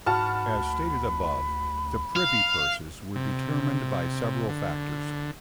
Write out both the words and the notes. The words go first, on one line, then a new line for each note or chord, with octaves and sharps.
As stated above, the Privy Purses were determined by several factors.
G#2 F#4 A5 B5 F6
D2
F5
C3
D3